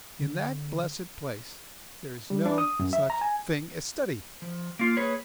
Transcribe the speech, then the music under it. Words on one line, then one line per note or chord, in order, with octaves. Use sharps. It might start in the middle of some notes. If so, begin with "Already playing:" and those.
In that blessed place there is no such thing as study.
D3
G3
D4
D#6
F#2
E5
A#5
G#5
F3
A#3 F4
A#3 G#4 B4 C#5